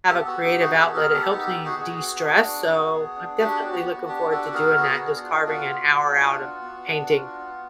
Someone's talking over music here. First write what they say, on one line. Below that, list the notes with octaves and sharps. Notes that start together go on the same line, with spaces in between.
have a creative outlet, it helps me de-stress, so, I'm definitely looking forward to doing that, just carving an hour out of painting,
G4 A4
B3
F#4
D#4
G4
F#4 G#4
G4 A4
B3
G#4 A#4
B3
G4 A4
D#4 G4
F#4
F#4 G#4
B3
B3
D4
F#4
B3
B3
D4
F#4 G4
B3
F#4
B3
D4 G4
F#4 G4 A4
B3 G#4 A#4
B3 F#4 G#4
D4
F4
B3 F#4
B3
D4
F4
B3
B3
D4
F4
B3